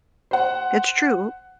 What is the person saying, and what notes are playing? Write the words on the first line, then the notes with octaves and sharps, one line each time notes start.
It's true.
C5 F#5